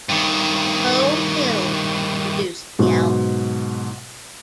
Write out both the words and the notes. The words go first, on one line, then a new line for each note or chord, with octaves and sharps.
Beau Hill produced the album.
G2 D#3
G#2 B2 F#3